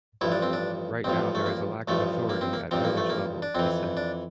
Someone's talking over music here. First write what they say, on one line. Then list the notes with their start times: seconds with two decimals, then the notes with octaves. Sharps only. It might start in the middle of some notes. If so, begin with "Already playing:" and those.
Right now there is a lack of authority at village level, he said.
0.21 A1 G2 F3 E4
0.32 D4
0.42 C4
0.53 D4
1.04 A1 G2 F3 C4
1.35 A3
1.46 A#3
1.88 A1 G2 F3 A3
2.29 A#3
2.41 C4
2.53 A#3
2.71 A1 G2 F3 C4
2.84 A#3
2.97 A3
3.10 A#3
3.42 D4
3.55 F2 E3 C4
3.97 D4